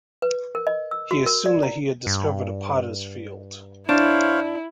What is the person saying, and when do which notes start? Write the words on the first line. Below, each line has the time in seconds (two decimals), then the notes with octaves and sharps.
He assumed that he had discovered a potter's field.
0.22 B4
0.55 A#4
0.67 D#5
0.91 E6
1.11 F#4
1.26 A#4
1.46 D5
1.63 A#5
2.07 G2
3.89 D4 E4 C5 C#5 F5